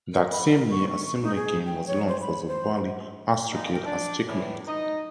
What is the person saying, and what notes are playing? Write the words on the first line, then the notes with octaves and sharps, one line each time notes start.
That same year, a similar game was launched for the Bally Astrocade as "Checkmate".
A#4
B5
A#4
C#6
C#6
D#4
G#4
G5
C#5
C5
B5
C5
G3 G#3 A#3 B3 D#4
C2 A#4 G5
D4 D5
E2 A2
D#4 D#5